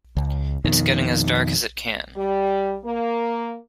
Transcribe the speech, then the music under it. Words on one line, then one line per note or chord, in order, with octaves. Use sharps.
It’s getting as dark as it can.
C#2
F2 B2 D#3
G3
A#3